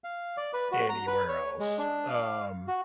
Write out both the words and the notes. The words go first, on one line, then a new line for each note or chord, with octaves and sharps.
anywhere else. Um.
F5
D5
B4
F#4
A#5
B4
C#5
G#3
D4
F5
F#4